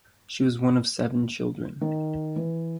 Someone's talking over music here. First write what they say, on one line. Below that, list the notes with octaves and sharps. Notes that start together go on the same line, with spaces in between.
She was one of seven children.
D#3
E3